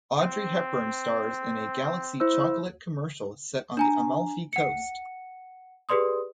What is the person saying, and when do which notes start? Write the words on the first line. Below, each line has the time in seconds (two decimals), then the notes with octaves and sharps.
Audrey Hepburn stars in a Galaxy chocolate commercial set on the Amalfi coast.
0.16 C4
2.20 E4 C5 E6
3.77 D4 G#5 A#5
4.53 F#5 C#7
5.89 G4 G#4 B4 D5 C6 D#6